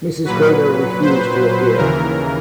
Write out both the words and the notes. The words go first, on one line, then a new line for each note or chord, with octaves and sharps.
Mrs. Crater refused to appear.
A#2 F#3 B4
C5
D#2 C#3 E3 A#4